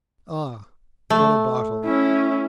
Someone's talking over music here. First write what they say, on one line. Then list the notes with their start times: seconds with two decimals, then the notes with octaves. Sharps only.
Ah! what a bottle!
1.10 A3
1.84 C#4 E4